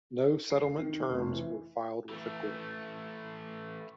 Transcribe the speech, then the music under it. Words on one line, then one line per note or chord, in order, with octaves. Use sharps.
No settlement terms were filed with the court.
C7
D#3
F1
E3
E3 A3